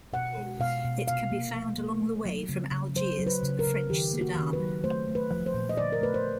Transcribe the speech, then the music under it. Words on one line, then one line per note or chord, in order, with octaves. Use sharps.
It can be found along the way from Algiers to the French Sudan.
B2 F#5
G#3
B2 F5
B2
C3 F5
A#3
F3
A#3
A3
F#3
C#3
C#3
F#3 C5
F#3
B4
C#3
A#4
C#3
D#3 G4
A#3
F#4
D#3
B4
F#3
A3 C5
A3
B4
F3
C5
A#2
D#5
D3 D5
A#4
A3 B4
C5